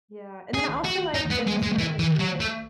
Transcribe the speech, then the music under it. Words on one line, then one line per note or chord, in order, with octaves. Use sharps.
Yeah. And then I also, like, and this might just be, like,
G#4
F#4
D#4
B3
G#3
G#3
E3
E3
F#3
A3